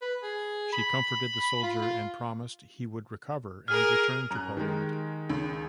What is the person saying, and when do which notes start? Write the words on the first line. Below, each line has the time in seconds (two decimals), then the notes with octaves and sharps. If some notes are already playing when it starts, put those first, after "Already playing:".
She comforted the soldier and promised he would recover and return to Poland.
0.02 B4
0.23 G#4
0.73 B5
1.63 F4
1.82 F4
3.68 G#4 A#4 F6
4.31 F#2 A#5 F#6
4.57 D#3 G#3 G4 A#4
5.30 C#2